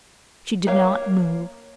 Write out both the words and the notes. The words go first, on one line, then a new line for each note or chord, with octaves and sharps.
She did not move.
A#3 A#4 C#5 F5